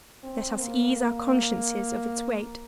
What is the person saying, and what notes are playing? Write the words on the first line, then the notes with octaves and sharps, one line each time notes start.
Let us ease our consciences of its weight.
C4
A#3
A#3